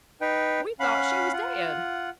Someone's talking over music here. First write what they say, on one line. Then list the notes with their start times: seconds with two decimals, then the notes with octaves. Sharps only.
We thought she was dead.
0.21 D#4 B4 G5
0.80 C#4 F5 F#5 B5
1.33 F4 F#5